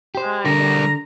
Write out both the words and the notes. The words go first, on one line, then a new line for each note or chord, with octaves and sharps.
I know.
G4 C5
D3 G3 A#4 A#5